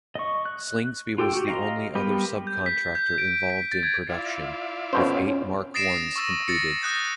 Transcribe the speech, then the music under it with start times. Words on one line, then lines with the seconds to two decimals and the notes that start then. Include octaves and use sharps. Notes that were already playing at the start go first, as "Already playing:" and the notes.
Slingsby was the only other sub-contractor involved in production with eight Mark Is completed.
0.15 D#5 C#6
0.46 F#6
1.18 F4 G4 A4 G5
1.33 F#4 G4
1.48 D#5 F5 A#5 C6
1.95 G3 B3 G4 A#4 B4
2.47 G6
2.66 B6
2.95 G6
3.18 D7
3.50 B6
3.72 A6
3.83 G#6
4.09 E4 F4 D5
4.93 F2 B2 C#4 C5
5.74 D#6 A6 A#6 C7 D7 E7
6.16 C#6 E6 A#6
6.48 A6 A#6 C#7
6.82 D#6 F#6 G6 A#6